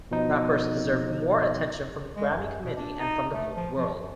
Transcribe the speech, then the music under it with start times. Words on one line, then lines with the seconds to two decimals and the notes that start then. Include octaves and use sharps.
Rappers deserve more attention from the Grammy committee and from the whole world.
0.11 B2 F3 D#4
2.16 G#3
2.30 F#2
2.64 B2
2.77 D4
2.99 D#4
3.33 A3
3.56 F3
3.77 F3
4.01 F#2